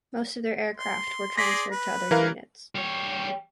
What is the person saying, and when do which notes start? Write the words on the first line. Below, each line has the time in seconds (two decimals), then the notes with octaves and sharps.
Most of their aircraft were transferred to other units.
0.77 C6
1.38 G#4 D5 C6 A#6 B6
1.72 B4
2.11 E3 A#4 F5
2.75 G3 C#5